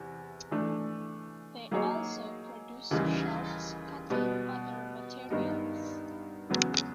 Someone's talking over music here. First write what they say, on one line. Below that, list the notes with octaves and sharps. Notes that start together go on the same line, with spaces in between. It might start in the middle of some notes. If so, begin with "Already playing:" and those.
They also produce shards cutting other materials.
Already playing: E2 C3 E3
E3 A3 D4
F#3 A#3 D#4 G#4 C#5
D#2 C#3 E3 G3
B2 G3 B3
G2 D#3 G3 B3 D#4
E2 C#3 F#3 B3